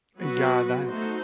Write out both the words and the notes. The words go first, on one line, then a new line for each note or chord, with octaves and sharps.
Yeah, that is c
F#3 B3 F#4 B4
A3 D#4 F#4 C5